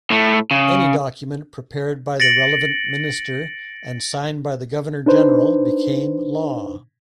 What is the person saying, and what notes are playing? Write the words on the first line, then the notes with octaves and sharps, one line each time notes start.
Any document prepared by the relevant Minister and signed by the Governor-General became law.
A2 A3
C#3
A6 A#6 C#7 D7 F#7
D4 D#4 B4 C5